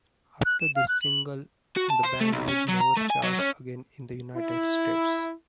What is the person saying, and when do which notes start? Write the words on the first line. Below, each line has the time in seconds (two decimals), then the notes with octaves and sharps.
After this single, the band would never chart again in the United States.
0.45 F#6
0.60 E7
0.75 F5
0.88 F#6
1.02 F#7
1.77 F#4
1.90 A5
2.04 C5
2.21 A3
2.32 B1
2.48 C#4
2.68 F#3
2.80 A#5
2.97 A3
3.10 G#5
3.23 F#3
3.39 C#4
4.36 E4